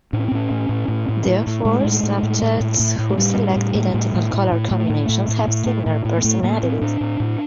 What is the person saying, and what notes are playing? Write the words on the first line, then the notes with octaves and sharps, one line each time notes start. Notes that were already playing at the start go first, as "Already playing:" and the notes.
Therefore, subjects who select identical color combinations have similar personalities.
A2 D4
C#4
C4
A2 C#4
A2
A2
A2
A2
A2
A2
A2 G#3
A2
A2
A2
A2
A2
A2
A2
G#3
A2 G3
A2
A2
A2
A2
A2
A2
A2
A2 A3
A2
A2
A2
A2
A2
A2
A2
A#3
A2 A3
A2 A#3
A2 C4
A2 D4
A2
A2